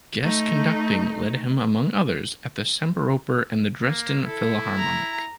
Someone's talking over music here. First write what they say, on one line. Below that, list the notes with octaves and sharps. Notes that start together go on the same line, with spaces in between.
Guest conducting led him among others at the Semperoper and the Dresden Philharmonic.
A3 D#4
A#3
E4 A4
A#5